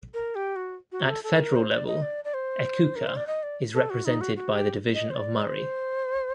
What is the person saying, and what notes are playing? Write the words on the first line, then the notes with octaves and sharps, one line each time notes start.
At federal level, Echuca is represented by the Division of Murray.
A#4
G4
F#4
F#4
A4
A4
A#4
C5
D5
D#5
D5
D5
C5
A#4
C5
D5
D#5
D5
A4
F#4
D#4
F#4
F#4
G4
D#5
C5
D5
C5